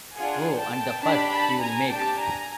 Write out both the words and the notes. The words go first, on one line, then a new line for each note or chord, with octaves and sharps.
Oh, and the fuss he’ll make!
D4 F4 G#4 F#5 G#5
G5 A5
D4 G4 A5 B5
A5 B5
G#5 A#5
D4 G4 G5 A5
G#5 A#5